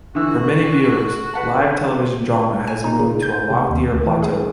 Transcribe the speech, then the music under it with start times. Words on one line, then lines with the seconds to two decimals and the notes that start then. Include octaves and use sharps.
For many viewers, live television drama had moved to a loftier plateau.
0.15 D3 E3 F#4 E6
1.34 B4 F#5 A5
2.67 G#5
2.84 D#4
2.99 C#3
3.22 G6
3.50 C3
3.70 D#2
3.92 D2
4.06 E3
4.23 G#4